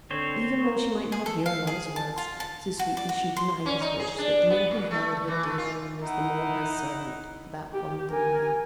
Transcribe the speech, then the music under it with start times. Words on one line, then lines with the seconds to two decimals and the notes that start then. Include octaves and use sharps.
Even when she might not hear a lover's words, so sweetly she denied his wish that the more he held her dear and was the more her servant for that fond denial.
0.11 D3 C4 C5 C#5
0.63 A#3
1.12 G#4
1.26 A4
1.46 F5
1.67 G#4
1.96 A5
2.18 F4
2.40 A5
2.79 F#4
2.97 D5
3.09 F#4
3.36 C6
3.66 C#4
3.81 D#4
4.00 G#4
4.18 D4
4.50 B3
4.71 A#2
4.91 A3
5.28 E3
5.44 A3
5.58 F4
6.02 D#4 E4 F#5
7.73 G4
8.10 A#4 G#5